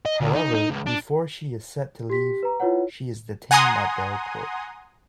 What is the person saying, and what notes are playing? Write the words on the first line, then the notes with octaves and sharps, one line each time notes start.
However, before she is set to leave, she is detained at the airport.
D#5
D2
D#4
D#4
C#2
D4
G4 B6
B4 A#5
E4 F4 B4 C#5 F#5
F#5 G#5 A#5 C6 D#6